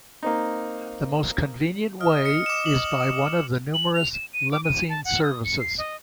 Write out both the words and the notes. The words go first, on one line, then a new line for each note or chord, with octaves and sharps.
The most convenient way is by one of the numerous "limousine services".
A#3 C4 D#4
D#5 F6
C#7
D6 E7
F#7
F#7
F7
E7
D#7
D6
D#7
A5
F#5
D#6
C#7
C7
D#5